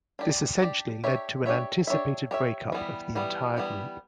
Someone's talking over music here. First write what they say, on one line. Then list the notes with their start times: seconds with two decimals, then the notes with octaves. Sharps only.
This essentially led to an anticipated breakup of the entire group.
0.19 D4 G4 D5
0.61 D4 G4 D5
1.04 D4 G4 C#5 E5
1.46 D4 G4 C#5 E5
1.87 D4 G4 C#5 E5
2.31 D4 G4 C#5 E5
2.72 E3 G3 B3
3.15 E3 G3 B3
3.57 E3 G3 B3